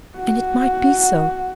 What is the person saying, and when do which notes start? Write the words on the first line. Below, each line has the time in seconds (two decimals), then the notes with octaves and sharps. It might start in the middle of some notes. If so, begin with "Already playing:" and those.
And it might be so.
0.17 F#4